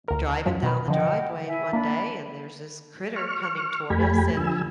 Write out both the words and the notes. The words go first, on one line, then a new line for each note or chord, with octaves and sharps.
driving down the driveway one day and there's this critter coming toward us, and
D2 A#4
F#2 F3 F#3
B2 B4
D3 F3 D#5 F#5 G5
E4 E5 G#5
A#3 D4 B5
C#6 F6
F2 A3 G4 G#5 B5
D3 F3 G#5 E6